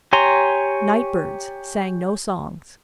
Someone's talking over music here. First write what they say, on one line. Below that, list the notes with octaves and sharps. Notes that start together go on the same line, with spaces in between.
Nightbirds sang no songs.
G4 C#5 G#5 A#5 C6